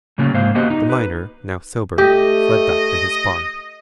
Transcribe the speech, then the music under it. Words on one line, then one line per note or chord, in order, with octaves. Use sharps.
The miner, now sobered, fled back to his bar.
A2 C#3 F#3 A#3 C#4 F4
G#2 A#3 C5 F5
A#3 B3 F#4 G4 C5 D#5
D#4
B4
A3 G4 D#5